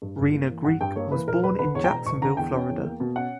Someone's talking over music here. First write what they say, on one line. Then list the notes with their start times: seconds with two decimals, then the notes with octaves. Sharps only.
Rena Greek was born in Jacksonville, Florida.
0.02 G2
0.18 G2
0.34 A#3
0.49 E3
0.65 G2 F#5
0.81 G2 G5
0.96 A#3 C#5
1.12 E3 B4
1.27 E1 A#4
1.43 E1 B4
1.59 D3 B4
1.75 E2 C#5
1.84 G5
1.90 E1 A#5
2.05 E1 C#6
2.22 D3 A#5
2.37 E2 G5
2.53 C#4
2.69 E2
2.84 A#3
3.00 B2
3.15 C#4 F#5